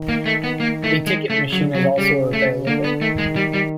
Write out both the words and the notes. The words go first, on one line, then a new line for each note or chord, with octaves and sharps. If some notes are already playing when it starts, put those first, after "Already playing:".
A ticket machine is also available.
Already playing: D#3
A#3
A3
B3
A#3
A3
G#3
C#3 A3
F#3
F#3
G3
A3
D3 A#3
B3
D#3 A3
G#3
G3
G3